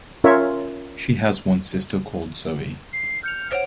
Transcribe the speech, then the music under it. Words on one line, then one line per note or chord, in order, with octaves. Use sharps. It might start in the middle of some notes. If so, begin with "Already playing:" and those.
She has one sister called Zoe.
C#4 F4 A#4 C#5 E5
C7
F6 G6 C#7 F7
C5 C#5 F#5 D7